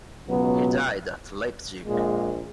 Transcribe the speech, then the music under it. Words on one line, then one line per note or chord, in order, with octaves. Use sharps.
He died at Leipzig.
C#2 B2 F#3 B3
A#1 A#2 G#3